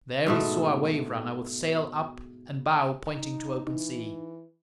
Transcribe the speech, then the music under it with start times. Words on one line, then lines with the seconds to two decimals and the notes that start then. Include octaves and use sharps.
There we saw our 'Waverunner' with sail up and bow pointing to open sea.
0.27 G#2 B2 A3
3.12 D#4
3.67 E3 D#4